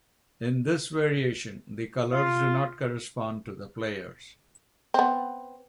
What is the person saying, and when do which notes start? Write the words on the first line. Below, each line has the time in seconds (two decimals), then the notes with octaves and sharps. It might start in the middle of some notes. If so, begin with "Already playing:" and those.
In this variation the colours do not correspond to the players.
2.13 F4
4.94 B3 C4